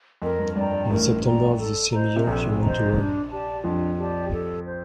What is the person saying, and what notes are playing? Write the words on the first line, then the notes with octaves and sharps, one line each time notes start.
In September of the same year he went to Rome.
F2 A#4
G2
G2 D5 G5 A#5
G2
A1 A2 A#4
D5 G5 A#5
A4
C5 D#5 A#5
C3
A#1 A#2 A4
C5 D#5 A#5
D4
G4 D5 A5
F2 F3 D4
G4 D5 A5
A4
C5